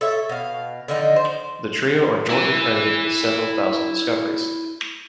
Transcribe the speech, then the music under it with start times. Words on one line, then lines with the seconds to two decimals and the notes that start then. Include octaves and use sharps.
The trio are jointly credited with several thousand discoveries.
0.01 A4 C#5 E5
0.29 B2 F5
0.88 D3 D#3 F3 D#4
1.16 C5
2.29 E4 G#5